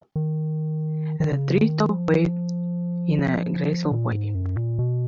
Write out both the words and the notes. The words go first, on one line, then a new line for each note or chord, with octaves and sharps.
The tree top waved in a graceful way.
D#3
D#3
C#3
D#3
F3
A#2
G#2
F#2
A#2
B2